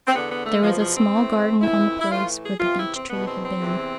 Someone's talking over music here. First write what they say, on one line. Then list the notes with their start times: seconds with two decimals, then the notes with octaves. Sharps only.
There was a small garden on the place where the beech-tree had been.
0.06 C4
0.12 E2 D3 B3
0.29 B3
0.45 A3
0.61 E2 B2 F3
0.78 F3
0.95 C4
1.11 A2
1.16 E3
1.61 F2 E3 E4
1.99 E4
2.10 A2 E3 F4
2.43 G#4
2.60 E2 C3 E3 F4
2.76 E4
2.93 C4
3.09 E2 B2 B3
3.26 C4
3.43 C4
3.59 E2 C3 E3